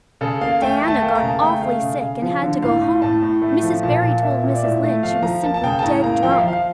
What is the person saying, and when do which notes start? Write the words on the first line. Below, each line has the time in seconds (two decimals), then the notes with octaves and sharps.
Diana got awfully sick and had to go home. Mrs. Barry told Mrs. Lynde she was simply dead drunk.
0.21 C#3 A4
0.41 A#3 F5
0.62 A3 G5
0.82 A3
0.88 A5
1.01 A#3 G5
1.15 A#5
1.22 C#3
1.28 A5
1.41 A3 G5
1.62 A3 F5
1.82 C#3
2.02 C#3
2.22 F3
2.42 D3
2.63 A2 F5
2.82 A2
3.02 A2 A5
3.23 A2
3.42 A3
3.63 F3
3.83 A#2 A5
4.03 A#2
4.23 A#3 E5
4.43 A#2
4.55 D5
4.63 A2 E5
4.83 A3
5.03 F3 F5
5.22 F3 A#5
5.44 A#3 A5
5.54 A5
5.63 C#3 G5
5.79 A5
5.83 A2 A#5
6.03 A#3 A#5
6.23 F3 G5
6.31 F5
6.39 E5
6.44 F3 F5